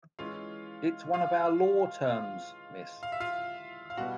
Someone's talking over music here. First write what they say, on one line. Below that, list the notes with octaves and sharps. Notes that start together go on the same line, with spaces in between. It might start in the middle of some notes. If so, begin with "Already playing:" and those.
It's one of our law terms, miss.
E3 G#3 C#4 F4 F5
F4 F5
F4 F5
F5
E5
F4 F5
F5
B2 G3 B3 F#4 F#5